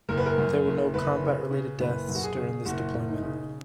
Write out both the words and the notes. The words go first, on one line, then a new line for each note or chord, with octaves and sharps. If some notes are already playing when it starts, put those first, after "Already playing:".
There were no combat related deaths during this Deployment.
F#1 A#4
B4
A#4
F#2
F#1
F#1 B4
C#3
C#3
F#1 B4
F#2
F#4
G#4
C#3
F#1 F#4
F#1
D#4
C#3